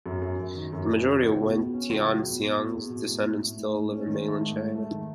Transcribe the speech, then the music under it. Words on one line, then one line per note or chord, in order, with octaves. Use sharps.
The majority of Wen Tianxiang's descendants still live in mainland China.
F#2
F#2
F#2
D#3
F#2
D#3
C#4
C#2
B2
B2
C#4
C#2
F#3
B2
B2
B2
E2
B2
A2
A2
A2
A2
A2
C#4
D#3
A3
G#2
G#2
A3
D#3